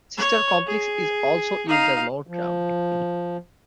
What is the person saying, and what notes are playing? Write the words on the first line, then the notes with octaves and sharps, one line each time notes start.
Sister complex is also used as moe term.
C#5
G#4
D#4 F5
F3